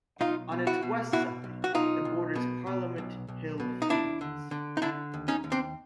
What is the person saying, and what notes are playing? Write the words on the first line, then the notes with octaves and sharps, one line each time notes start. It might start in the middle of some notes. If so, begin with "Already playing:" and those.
On its west side, it borders Parliament Hill Fields.
B1 D#4 F4
B2
E4 F#4
B2
B2 E4 F#4
B1
F#4
B1 D#4 F4
B1
B2
B2
B1
B1
B2
D#4
D#2 D4 E4
D3
D3
D#4
D3 D4 E4
D#2
C#4 D#4
D#2
C4 D4